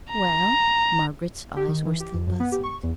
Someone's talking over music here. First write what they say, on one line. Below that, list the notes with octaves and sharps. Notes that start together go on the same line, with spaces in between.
"Well?" Margaret's eyes were still puzzled.
A#5
G4
D#3
E3
G4
F2
F#2
B3
G4
C#6
E2